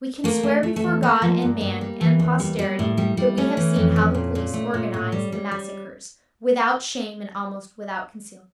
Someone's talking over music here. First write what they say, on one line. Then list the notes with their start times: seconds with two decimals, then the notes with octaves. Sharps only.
We can swear before God and man and posterity that we have seen how the police organise the massacres, without shame and almost without concealment.
0.24 A3 A#3
0.43 A3
0.63 A3
0.76 A3
0.84 E2
1.03 A3 A#3
1.22 F3
1.42 G2
1.61 G2
1.81 G3
2.01 E3
2.19 E2
2.40 G3
2.59 G3
2.79 A2
2.97 G3
3.17 G3
3.37 A3 C#4
3.57 E3
3.76 F2
3.96 F2
4.15 A#2
4.35 A#2
4.54 A3
4.74 A#2
4.94 A2
5.12 G3
5.32 G3
5.51 G3